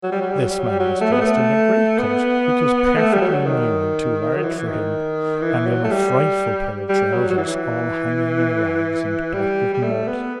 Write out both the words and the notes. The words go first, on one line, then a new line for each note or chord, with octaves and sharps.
This man was dressed in a great-coat which was perfectly new and too large for him, and in a frightful pair of trousers all hanging in rags and black with mud.
F#3
G3
F#3
G3
F#3
G3
F#3
G3
F#3
A3
B3
A3
B3
A3
G3
F#3
D#3
F#3
E3
E3
D#3
E3
F#3
A3
G3
G3
F#3
F#3
E3
G3
G3
A3
B3